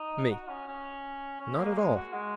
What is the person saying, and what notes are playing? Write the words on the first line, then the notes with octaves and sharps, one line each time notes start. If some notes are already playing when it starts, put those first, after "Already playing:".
ME: Not at all.
Already playing: D#4
F#4
C#4
C#4
C#4
A#3
G#3
F#4
G#3